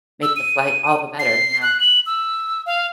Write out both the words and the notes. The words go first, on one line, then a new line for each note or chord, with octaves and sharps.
make the flight all the better, you know?
E6
D#7
C7
F#6
F#7
E6
F5